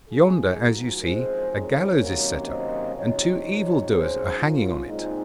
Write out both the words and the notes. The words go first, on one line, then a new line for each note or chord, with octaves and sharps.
Yonder, as you see, a gallows is set up, and two evil-doers are hanging on it.
G#2 F3 G#3 F4 G#4
F#4 A#4
F#2 F3 G#3 C4 D#4 G#4 C5
A#4 C#5
C3 D#3 F#3 A#3 C#4
C5 D#5
C3 F3 C4 D#4 A#4 C#5
G#2 F#3 C#4 G#4 C5
F4
A#2 G#3 C4 D#4